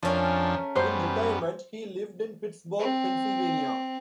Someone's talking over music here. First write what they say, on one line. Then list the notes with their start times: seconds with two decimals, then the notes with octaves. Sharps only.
In retirement, he lived in Pittsburgh, Pennsylvania.
0.03 F2 F3 A3 C#4 D4 A#4
0.76 F#2 G3 B3 C5
2.79 C4